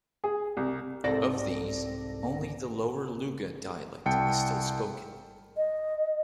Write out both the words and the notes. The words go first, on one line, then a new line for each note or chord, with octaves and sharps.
Of these, only the Lower Luga dialect is still spoken.
G#4
C2
C2 G#2 C4 A4 D5 A#6
C2 G5 A5 C#7
D#5